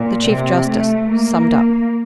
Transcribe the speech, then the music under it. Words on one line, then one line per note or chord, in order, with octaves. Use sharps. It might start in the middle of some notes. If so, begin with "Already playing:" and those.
The chief-justice summed up.
Already playing: A#2
C3
A3
A#3